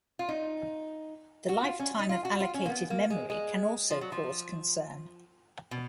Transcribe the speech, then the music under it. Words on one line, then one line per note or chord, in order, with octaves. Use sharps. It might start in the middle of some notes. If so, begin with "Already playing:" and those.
The lifetime of allocated memory can also cause concern.
F4
D#4
F#4
F4
C#4
D#4
F4
F#4
F4
C#4
A#3
B3
A#3
G#3
G#3
F3
F#3
F3
B2